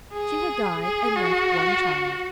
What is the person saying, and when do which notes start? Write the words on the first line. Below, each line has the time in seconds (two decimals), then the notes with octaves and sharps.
She had died and left one child.
0.13 G#4
0.82 G#4
1.16 F#4